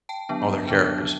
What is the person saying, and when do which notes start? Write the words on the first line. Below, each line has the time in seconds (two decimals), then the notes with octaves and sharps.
Oh, they're characters.
0.09 G5 A5
0.29 D3 F#3 B3 D4
0.68 D3 F#3 B3 D4